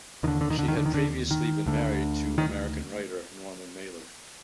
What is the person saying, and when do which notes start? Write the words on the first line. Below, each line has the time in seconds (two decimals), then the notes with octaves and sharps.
She had previously been married to American writer Norman Mailer.
0.23 D#2 D#3
0.28 D3
0.41 D3
0.50 D#3
0.59 D3
0.68 D#3
0.77 D3
0.86 D#3
0.94 D3
1.31 D#3
1.66 D2 D3
2.38 D#3